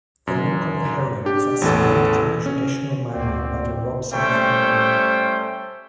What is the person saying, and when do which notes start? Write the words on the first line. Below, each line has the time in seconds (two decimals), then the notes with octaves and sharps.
The local herrings are smoked in a traditional manner by the Robson family.
0.27 F#2
1.25 D4 G4
1.62 A1 E2 A4
2.46 C#4
3.12 D2 A#3 C4 F#4 D5
4.13 G3 A3 C#4 C5 G5